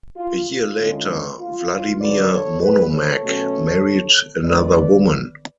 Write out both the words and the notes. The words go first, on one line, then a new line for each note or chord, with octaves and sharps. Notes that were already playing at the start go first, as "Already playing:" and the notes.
A year later Vladimir Monomakh married another woman.
F4
F4
D2 D3 G#3 C#4
F4
F4
F2 D3 F#3 B4 D5
A4 C#5
G#4 B4
A4 C#5
B2 F#3 A3 C#4
F2 D3 G#3 B4 D5